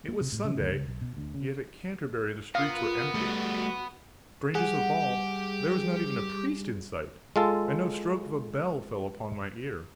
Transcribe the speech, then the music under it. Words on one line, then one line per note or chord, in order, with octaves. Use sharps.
It was Sunday; yet at Canterbury the streets were empty; strangest of all, there was not even a priest in sight, and no stroke of a bell fell upon my ear.
A#3
C3
A2
C#3
D2
C#2
B1
B2
D2
C#3
B3 F4 A#4 F5
G3 A3 F#4
G3 G4 G#4 F#5
G#3 F4 A4